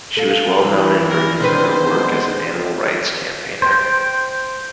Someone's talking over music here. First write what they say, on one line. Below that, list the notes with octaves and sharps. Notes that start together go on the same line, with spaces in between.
She was well known in Britain for her work as an animal rights campaigner.
A4 F5
G2 E3 C4
A#4
D#3 D4 B4 C5
G#3 B3
C5 G5